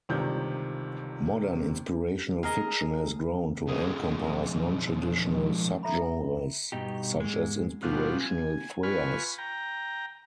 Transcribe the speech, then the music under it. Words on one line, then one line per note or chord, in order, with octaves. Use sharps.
Modern inspirational fiction has grown to encompass non-traditional subgenres, such as inspirational thrillers.
G1 C#2 C3 D#3 D5 G6
G#4 A#4 D#5
F2 G#3
A4 E5 A#5 B5
G2 B2 D#4 G4
G#2 G#3
B2 F3 G3 D4 F4 F#4
G#5
F4 B4 G#5 B5 C#6 F6
G5 A#5